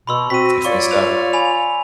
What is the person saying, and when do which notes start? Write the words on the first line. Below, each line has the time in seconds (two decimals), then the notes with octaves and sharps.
Definitely suck.
0.07 B2 B5 C6 E6
0.30 C4 F#4 B6 D#7
0.65 F4 C#5 D5 C#6
0.91 F7
1.33 G#5 B5 F7